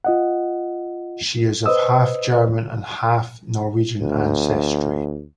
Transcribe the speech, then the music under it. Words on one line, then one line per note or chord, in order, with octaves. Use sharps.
She is of half German and half Norwegian ancestry.
F4 D#5 F#5
B4 C5 D#5 D#6 E6
D2